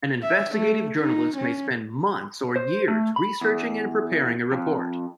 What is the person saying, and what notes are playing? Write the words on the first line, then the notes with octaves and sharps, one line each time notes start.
An investigative journalist may spend months or years researching and preparing a report.
E5
A3
D#4
C#4
C5
A3
B5
E2
F2